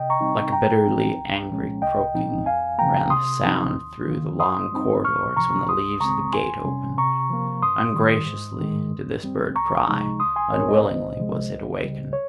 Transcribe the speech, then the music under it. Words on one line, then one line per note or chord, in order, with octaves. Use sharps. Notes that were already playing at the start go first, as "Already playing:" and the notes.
Like a bitterly angry croaking ran the sound through the long corridors when the leaves of the gate opened: ungraciously did this bird cry, unwillingly was it awakened.
Already playing: C3 D#5 G5
A#5 C#6
G3 C4 D#4
G2 G5 A#5
F3 C4 D#4
C2
A#2 F3 G#3 C#4
C2 D#5 G5
A#2 F3 C4 D#4
F2 F5 G#5
C#3 F3 A#3 G5 A#5
C3 C6 D#6
F3 C4 D#4
D#2
D#3 A#3
G2 C6 D#6
G3 C4 D#4
C#2 C#6 F6
C3 F3 A#5 C#6
C#2 C6 D#6
C#3 G#3 C4 A#5 C#6
F2 G#5 C6
C3 G3 C#4
C3 A#5 C#6
F3 A#3
G2 C6 D#6
D#3 G3
G#2
D#3 G#3
G2
G3 C4
C#2 A#5 C#6
C3 F3 G#3 D#4
C2 C6 D#6
G#5 C6
A#2 G#3 C4 A#4 C#5
C5 D#5
C2
C3 F3 G#3
C#2
C#3 G3
C#5